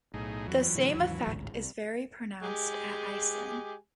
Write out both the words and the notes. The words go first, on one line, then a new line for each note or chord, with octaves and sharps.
The same effect is very pronounced at Iceland.
B1 A2 D#4 G#4
F2 E3 F#3
A2 D3
D#2 G#2
A1 D2 G#2
C2
G#3 G4 G#5